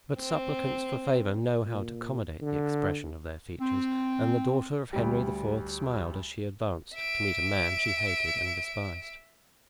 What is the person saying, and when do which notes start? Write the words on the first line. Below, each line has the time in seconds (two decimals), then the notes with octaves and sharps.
But supplicants for favor know how to accommodate the expression of their features, and the daughter of Henry IV. smiled as she advanced to meet a man she hated and despised.
0.20 C4
1.66 A#2
2.42 D3
3.61 C4
4.93 D2 G3
6.94 E5 D7